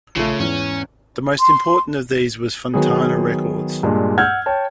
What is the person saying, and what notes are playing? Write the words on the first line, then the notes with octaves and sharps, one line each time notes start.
The most important of these was Fontana Records.
A#1 C#3 A3 F4
E2 G#2 C#4
C6
D#3 F#3 B3 G#4
G2 A#2 G#3
F#5 E6 F6 G6 G#6
C#5 G5 A5